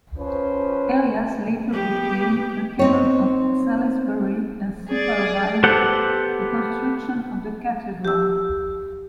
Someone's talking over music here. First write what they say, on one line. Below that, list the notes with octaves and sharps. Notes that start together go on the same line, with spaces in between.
Elias later became a canon of Salisbury and supervised the construction of the cathedral.
F3 C#4 B4 C5
B3 G4
C4 D#4 C#5
G#4 D5
B3 G4 A4 C5 F#5
G4 E6